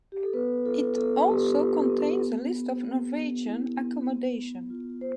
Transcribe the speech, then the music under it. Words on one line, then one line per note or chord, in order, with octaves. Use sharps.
It also contains a list of Norwegian accommodation.
G4
A4
B3 B4
F4 A4
B3 A4
B3 G4
F4
B3
B3
B3
B3
B3
E4
B3
B3
B3
F4
C5